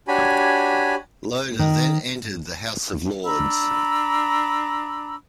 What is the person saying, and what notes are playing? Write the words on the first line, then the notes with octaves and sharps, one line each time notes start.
Loder then entered the House of Lords.
D4 F#4 G4 C#5 G#5 B5
D#3
D4 A#5 B5 E6